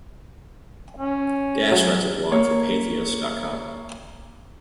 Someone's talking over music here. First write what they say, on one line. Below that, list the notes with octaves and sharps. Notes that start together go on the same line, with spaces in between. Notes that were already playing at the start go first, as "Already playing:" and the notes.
Dash writes a blog for Patheos dot com.
C#4
F#3
A#3 C#5